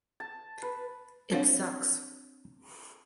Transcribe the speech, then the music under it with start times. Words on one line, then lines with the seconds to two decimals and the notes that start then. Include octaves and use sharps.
It sucks.
0.20 A5
0.63 B4
1.31 C4 D4 C5 C#5 F5 F#5